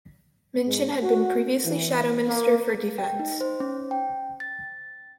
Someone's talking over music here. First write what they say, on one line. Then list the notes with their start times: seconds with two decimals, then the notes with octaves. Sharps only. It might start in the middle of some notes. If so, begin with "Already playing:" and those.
Minchin had been previously Shadow Minister for Defence.
0.66 G#2
1.03 F#4
1.65 E3
2.27 A#3
2.98 G5
3.19 D#4
3.41 C5
3.60 C#4
3.91 G5
4.40 A6